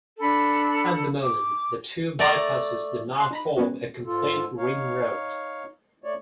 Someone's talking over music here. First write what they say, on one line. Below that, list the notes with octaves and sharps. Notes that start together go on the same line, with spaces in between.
At the moment, the two bypasses do not form a complete ring road.
D4 A4 B5
D6
A3 D5 A#5
F5 C6 F#6
D#4 A#5 B5
G#3 B3 C#4 F#4
G#2 F4 A4
D#4 C#5 F5
A3 C#5 D5